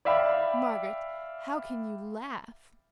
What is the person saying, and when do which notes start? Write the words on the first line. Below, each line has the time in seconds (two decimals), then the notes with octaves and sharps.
"Margaret, how can you--laugh!"
0.05 D5 E5 F5 G5 B5